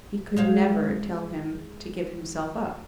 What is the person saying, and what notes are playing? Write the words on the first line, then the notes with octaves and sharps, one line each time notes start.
He could never tell him to give himself up!
G#3 C5 F5